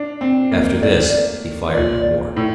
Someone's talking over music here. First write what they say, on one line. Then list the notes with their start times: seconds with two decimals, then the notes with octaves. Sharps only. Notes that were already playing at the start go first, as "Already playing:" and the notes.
After this he fired no more.
Already playing: D4
0.21 C4
0.51 A#3
0.82 A3 D5
1.74 A#2 D5
2.36 A2